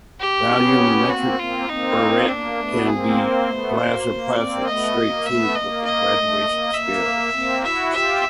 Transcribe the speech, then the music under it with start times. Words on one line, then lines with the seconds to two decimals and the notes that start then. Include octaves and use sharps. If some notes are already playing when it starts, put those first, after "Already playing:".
Volumetric burette can be glass or plastic stright tube with a graduation scale.
0.20 G4
0.50 B3 C#4
1.10 A#3 C4 F#4
1.39 A#3 C4 F4
1.69 A#3 C4 D#4
2.29 A#3 D4
2.58 A3 B3
2.87 A#3 C4 G#4
3.18 C5
3.47 A3 B3
3.76 A#3 C5
4.07 A#3
4.36 A#3 C4 D5
4.66 A3 B3 D#5
4.96 A#3
5.25 A3 B3 E5
5.55 A#3 D#5
5.85 D#5
6.14 A3
6.45 A#3
6.74 A#3 E5
7.33 A#3 C4
7.63 E4 F#4 E5
7.92 F4 G4 E5